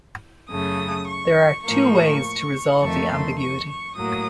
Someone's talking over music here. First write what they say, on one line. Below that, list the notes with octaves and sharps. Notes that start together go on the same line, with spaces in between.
There are two ways to resolve the ambiguity.
F#2 C#3 A3 D#6
C#6
A2 F3 A#3 C#6
F2 D#3 A3 C#6
C6
C#6
C#6
A2 F#3 A#3 D#6